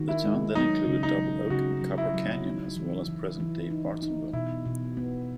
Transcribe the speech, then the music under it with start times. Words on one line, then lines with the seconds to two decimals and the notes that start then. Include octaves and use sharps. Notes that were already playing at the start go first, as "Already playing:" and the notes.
The town then included Double Oak and Copper Canyon, as well as present-day Bartonville.
Already playing: D#3 F#4
0.08 E4
0.24 G#3
0.55 F#3 D#4
0.87 C#3
1.03 D#4
1.19 F#3
1.50 C#3 F#4
1.81 F#3
1.98 E4
2.14 F#3
2.45 D#4
2.76 E3
3.08 E3
3.40 E3
3.71 D#4
4.03 D#4
4.33 B2 E4
4.66 B2
4.97 B3